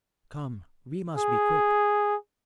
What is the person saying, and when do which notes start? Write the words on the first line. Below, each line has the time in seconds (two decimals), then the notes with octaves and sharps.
Come, we must be quick!
1.17 G#4